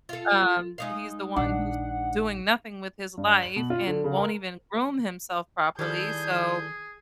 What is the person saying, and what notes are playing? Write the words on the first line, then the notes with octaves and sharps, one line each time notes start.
um, he's the one who's doing nothing with his life and won't even groom himself properly, so,
F4 A4
G#3 D#4 F5
A#1 D#3 D4 F#5
G2
F#7
B2
F4
D3
C#3
A#4
D#3 E3 G3 G#4 A4 G6